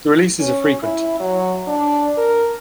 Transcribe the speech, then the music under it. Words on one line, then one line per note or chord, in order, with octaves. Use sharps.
The releases are frequent.
C#4
E4
F#3
D4
A#4